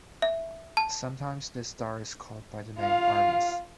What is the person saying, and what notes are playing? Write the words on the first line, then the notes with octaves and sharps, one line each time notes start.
Sometimes, this star is called by the name Armus.
E5
A5
F4 F5